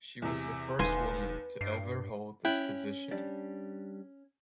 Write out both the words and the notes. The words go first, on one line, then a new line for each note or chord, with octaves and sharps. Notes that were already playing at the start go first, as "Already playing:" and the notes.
She was the first woman to ever hold this position.
E2 C3
E1 D#2 B4 G#5 C6
G2 C7
C#4 E4 G5 F#6
G3 D4